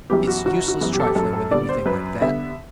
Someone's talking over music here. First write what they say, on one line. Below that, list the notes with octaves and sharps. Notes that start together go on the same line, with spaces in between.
It's useless trifling with anything like that.
F#2 E3 G3 B3 G4
F#4
G1 F#4
F#4
F#2 E3 G3 B3
G4
A4
G4
F#2 A4
A4
D3 G3 B3 D5
C5
F#2 B4
D3 G3 B3 E5